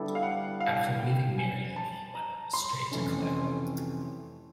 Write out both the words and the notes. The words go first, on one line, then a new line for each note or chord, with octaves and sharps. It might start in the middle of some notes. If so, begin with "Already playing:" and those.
After leaving Miriam he went almost straight to Clara.
Already playing: D3 G3 B3 E4 A4
F5
F#5
F5
G5
G#5
A5
A#5
C6
F2 C3 E3 A3 C#4